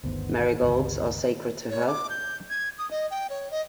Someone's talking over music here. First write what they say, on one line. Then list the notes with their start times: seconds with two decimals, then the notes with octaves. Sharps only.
Marigolds are sacred to her.
0.04 G1 D2 D#3 B3 C5
0.62 G1 C#2
1.70 C#5
1.87 D6
2.10 G6
2.50 G#6
2.78 D#6
2.91 D#5
3.11 G5
3.30 C#5
3.51 D#5